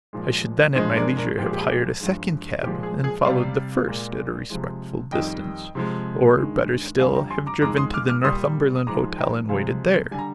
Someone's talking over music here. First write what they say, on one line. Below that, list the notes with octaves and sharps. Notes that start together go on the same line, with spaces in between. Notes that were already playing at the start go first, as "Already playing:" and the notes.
I should then at my leisure have hired a second cab and followed the first at a respectful distance, or, better still, have driven to the Northumberland Hotel and waited there.
A#2 F3 G#3
G2 F3 G#3 C5 D#5
A#4 D5
A#4 D5
A#2 F3 G#3 G4
G#4
G4
G#4
G4
G2 F3 G#3
A#2 F3 G#3 G4
G#4
G#4
C3 G3 D5 F5
A#2 G#3
C3 F3 G#3
F2 D#3 G3 D#5 G5
C3 F3 G#3
G2 D#3 G#3
F2 D3 G3 F5 G#5
G5 A#5
G#5 C6
A#5 D6
F2 D#3 G#3 A#5 D6
C6 D#6
D6 F6
D6 F6
A#2 G3 C6 D#6
D#6
G#2 F3 G#3 A#5 D6
G5 A#5
C3 F3 G#3 F5 G#5
D3 G3 G#5
A#5